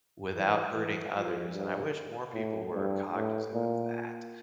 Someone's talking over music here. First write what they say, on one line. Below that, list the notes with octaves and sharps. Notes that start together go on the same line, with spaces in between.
without hurting others, and I wish more people were cognizant of that.
E3
E3
F3
G2
A2
G2
A2
A#2